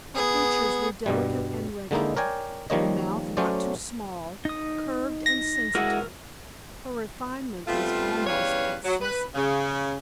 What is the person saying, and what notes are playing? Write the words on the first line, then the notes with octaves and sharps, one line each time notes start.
Her features were delicate and regular, the mouth not too small, curved and sensitive; her refinement was almost excessive.
B3 G#4
G2 B2 G3
D3 G#3 A#3 D#4 E4
A#4 C#5 D5 G5 G#5
D#3 F3 G3 A#3 C#5 D#5
F#3 A3 C#4 C5 D5
D#4 D#6
A#6
G#3 E4 F#4 A#4 E6
G3 A3 B3 C4 F4
E2 G3 C#4 B4 C#5 F5
F#3
B4
C#3